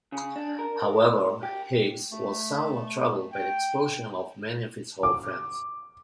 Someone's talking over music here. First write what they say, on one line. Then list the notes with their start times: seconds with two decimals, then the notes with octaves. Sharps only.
However, Higgs was somewhat troubled by the expulsion of many of his old friends.
0.12 C#3
0.36 D4
0.59 A#4
1.43 G4
2.12 A3
3.33 G5
5.03 D6